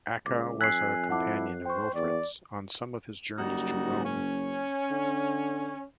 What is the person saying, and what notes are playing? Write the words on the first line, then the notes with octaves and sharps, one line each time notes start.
Acca was a companion of Wilfrid's on some of his journeys to Rome.
C#2 D6
F2 G#5 E6 F#6 G#6 B6 C7
E4 F#5 A5 D6
C5 G5 C#6
E2 D5
F#1 G3 D#4 F#4
C#4
D3